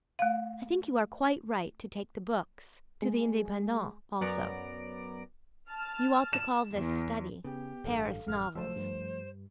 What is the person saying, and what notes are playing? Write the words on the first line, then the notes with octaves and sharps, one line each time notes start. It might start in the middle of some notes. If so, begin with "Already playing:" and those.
I think you are quite right to take the "Books" to the "Independents" also; you ought to call this study "Paris Novels."
A3 F5
G#3
F#2 F#3 B3 D5 A#5 D7
A5 F6
E7
E2
C#3 B3 G4
A1 G2 A4 F5
A1 F#2 F6
C2 F3 F#3 A3 C5 E6
G2 G3